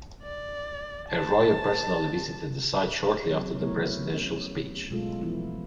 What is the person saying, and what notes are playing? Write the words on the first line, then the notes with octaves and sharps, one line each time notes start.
Arroyo personally visited the site shortly after the presidential speech.
D5
A5
F#3 C4 C#5
F#3 A3 B3 E4 A#4 C#5
C#4
B2 F#3 G#3 A3 F4 A4
E3 F3 G#3 B3 E4 F4